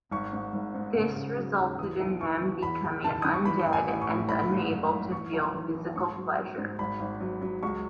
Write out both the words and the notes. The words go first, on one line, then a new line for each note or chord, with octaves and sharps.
This resulted in them becoming undead and unable to feel physical pleasure.
G#1 C#6
G#2
G#1
G#2
C#3
C#3
F#3
D#2
E3 D#6
B1
E3 C#6
E3
E2 B5
E2
D#3 A5
D#3 D#6
C#6
E3 B5
A1
G#5
A1
C#6
A2
G#1 B5
G#1
F#2
G#1
E3 C#6
B1
E3
E3
G#2 C#6
F#3
F#3
G#2
G#1 B5
G#1
F#3
F#3
C#2 C#6